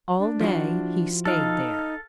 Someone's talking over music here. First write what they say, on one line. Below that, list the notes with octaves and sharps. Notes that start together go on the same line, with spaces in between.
All day he stayed there.
D4
F3 E4 F#4
D#4 A4 F5